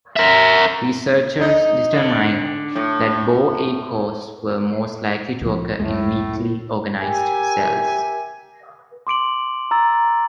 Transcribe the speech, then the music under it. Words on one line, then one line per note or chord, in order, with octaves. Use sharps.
Researchers determined that bow echoes were most likely to occur in weakly organized cells.
A#4 E5
D#4
D3
A2
C#2 F3
C#2 F#2 A2 G#3
G4 A#4 E5 G#5
C6 D6 D7 F#7
A#5 E6 A6